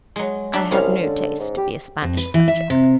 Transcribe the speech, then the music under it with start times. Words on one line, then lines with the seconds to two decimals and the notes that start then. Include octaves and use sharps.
"I have no taste to be a Spanish subject."
0.16 F#3 G#3
0.53 D4 E5
0.71 C2 G#3 C#4 F5
1.02 D3
1.40 G#2
1.57 G4
2.02 F2
2.17 B4
2.34 E3
2.48 E5
2.70 C3